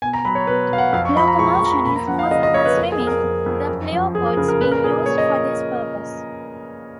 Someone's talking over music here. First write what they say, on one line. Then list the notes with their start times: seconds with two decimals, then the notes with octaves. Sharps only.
Locomotion is mostly by swimming, the pleopods being used for this purpose.
0.02 B2 G#5
0.13 A#5
0.25 F#3 B5
0.35 C#5
0.47 B2 B4
0.71 F#3 F5
0.78 F#5
0.93 F2 F5
1.05 C#6
1.16 F3 B5
1.28 A#5
1.39 G#3 C#6
1.55 C#6
1.62 F2 A#5
1.70 B5
1.84 A#3 B5
1.96 A#5
2.07 F3 F#5
2.19 F5
2.31 C#3 D#5
2.43 D#5
2.54 A#3 C#5
2.65 B4
2.78 F2 A#4
2.92 G#4
3.00 F2
3.07 A#4
3.23 F2
3.46 F2
3.69 F#2
3.92 F3
4.15 F3 G#4
4.26 A#4
4.37 C#3 A#4
4.49 A#4
4.60 A#2 B4
4.71 A#4
4.84 A#2 G#4
5.06 A#3 C#5
5.18 D#5